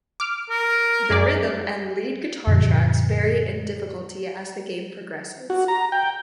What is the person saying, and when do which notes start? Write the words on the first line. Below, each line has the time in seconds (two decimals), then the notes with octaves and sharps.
The rhythm and lead guitar tracks vary in difficulty as the game progresses.
0.20 D6 F6
0.50 A#4
1.10 F#2 G#4 D5
2.47 F#2 A#2 D3 F3
5.50 F#4
5.68 A#5
5.92 G5